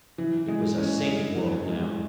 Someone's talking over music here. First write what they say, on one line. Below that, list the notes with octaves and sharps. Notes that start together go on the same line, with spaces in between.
It was a safe world now.
E3
G#3
C#4
G2
E3
G#3